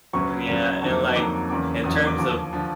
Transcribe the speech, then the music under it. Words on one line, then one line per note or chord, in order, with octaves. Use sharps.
Yeah, and like in terms of
D2 C#3 F#3 B3 C#6
D2 C#3 F#3 B3
F2 D3 F#3 A#3 D#4
F2 D3 F#3 A#3 D#4 D6
E2 C#3 F#3 A#3 D6
E2 C#3 F#3 A#3 D#6
D6
D#2 D3 F3 D6
D3 F3